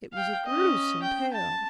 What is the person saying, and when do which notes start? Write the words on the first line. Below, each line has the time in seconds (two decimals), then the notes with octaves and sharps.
It was a gruesome tale!
0.13 F5 G5
0.46 C#4 D#5
1.02 G5
1.33 A5